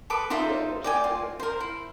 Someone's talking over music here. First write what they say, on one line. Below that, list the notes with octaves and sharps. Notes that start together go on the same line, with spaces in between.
Yeah, of course, have a great day.
A4 B4 D6 D#6
D#4 F4 C5 E5
D5 G5 G#5
F4
A#4 C5
E4